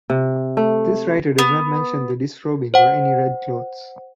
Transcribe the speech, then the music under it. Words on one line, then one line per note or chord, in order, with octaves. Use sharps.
This writer does not mention the disrobing or any red clothes.
C3
A3
B3
C5 F#5